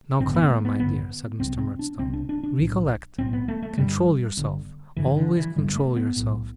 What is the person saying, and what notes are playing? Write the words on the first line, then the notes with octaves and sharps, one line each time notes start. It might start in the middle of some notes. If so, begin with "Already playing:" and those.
'Now, Clara my dear,' said Mr. Murdstone. 'Recollect! control yourself, always control yourself!
A1 G2 D3 C4
B3
A3
B3
A1 G2 D3 B3
C2 C3 C4
C4
D4
C2 C3 C4
D4
D4
D4
B1 A2
B1 A2 C4
B3
A3
A3
G1 G2 D3 G3
G1 G2 D3
G1 G2 D3 E3
D3
E3
G1 G2 D3 G3
A3
B3
B1 A2